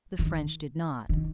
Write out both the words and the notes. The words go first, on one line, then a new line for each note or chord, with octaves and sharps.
The French did not.
D#3
D#3